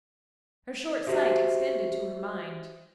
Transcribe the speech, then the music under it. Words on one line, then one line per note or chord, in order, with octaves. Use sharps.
Her short sight extended to her mind.
F#4 G4 C5 D#5 E5